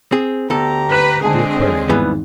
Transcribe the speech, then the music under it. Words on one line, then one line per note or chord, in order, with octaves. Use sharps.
The Aquarium.
C4 G#4
D2 B3 G4 A4 A#5
B4 F#6 E7
D3 G#3 C4 G#4 G#5 A5
C#5
G#1 E2 G#2 E3 G3 B3